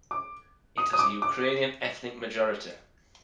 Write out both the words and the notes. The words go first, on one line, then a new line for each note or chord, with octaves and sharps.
It has a Ukrainian ethnic majority.
D6
D#6
D#6
D6
D6